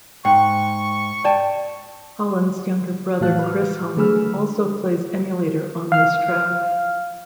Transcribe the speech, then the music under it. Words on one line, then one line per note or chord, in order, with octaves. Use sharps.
Holland's younger brother Chris Holland also plays emulator on this track.
G#2 G5 C#6
D5 G5 A5
A2 E3 F#4 F5 A5 F#6
B4 F6
D3 A3 G#4 B5 E6 F6
F5 F6